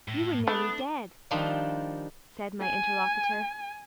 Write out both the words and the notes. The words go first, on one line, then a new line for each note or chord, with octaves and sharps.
"You were nearly dead," said my interlocutor.
A2
A3 B3 D4
D#3 F3 G3 D4 D#4 F4
G#5